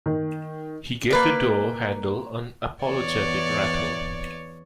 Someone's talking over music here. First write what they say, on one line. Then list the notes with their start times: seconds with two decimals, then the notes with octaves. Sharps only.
He gave the door handle an apologetic rattle.
0.06 D#3
1.11 A#3 B4 D5
2.84 E2 C#5 D5